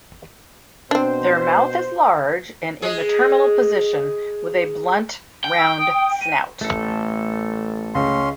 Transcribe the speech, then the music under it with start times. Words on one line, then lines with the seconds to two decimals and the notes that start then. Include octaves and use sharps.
Their mouth is large and in the terminal position with a blunt round snout.
0.91 B2 C4 D4 C5
2.82 G#3 G#4
5.44 G5
5.58 E6
5.79 D#6
6.21 D#7
6.61 A1 A3 A4
7.95 C#2 C#4 C6